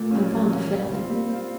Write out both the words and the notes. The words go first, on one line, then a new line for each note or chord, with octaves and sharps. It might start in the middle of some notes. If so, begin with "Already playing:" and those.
I'm fond o' fiddling.
Already playing: A#2 A3
F#3 A#3 C#4
A#2
F#3 A#3 C#4
G3
C4 F4
G3 A#3
C4 F4